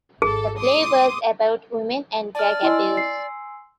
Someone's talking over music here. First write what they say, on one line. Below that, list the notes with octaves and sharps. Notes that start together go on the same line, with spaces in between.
The play was about women and drug abuse.
G#1 G#4 A4
C6 D6 D#6
D5 A5 F6
E4 D#5 G#5 C6 E6
C7